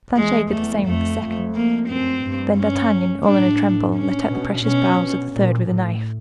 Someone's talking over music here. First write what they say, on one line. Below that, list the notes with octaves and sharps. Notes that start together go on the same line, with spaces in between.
Planchet did the same with the second; then D'Artagnan, all in a tremble, let out the precious bowels of the third with a knife.
E2 G#3
E2 A3
F2 A3
F2
A#3
F#2 C4
G2
C#4
A2 D4
C#4
B2
B2 C#4
B2
A#2
A2